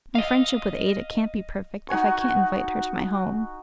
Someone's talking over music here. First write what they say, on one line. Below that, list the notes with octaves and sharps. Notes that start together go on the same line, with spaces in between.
My friendship with Ada can't be perfect if I can't invite her to my home.
D#5 F5
D#4 F#4 G#5 C#6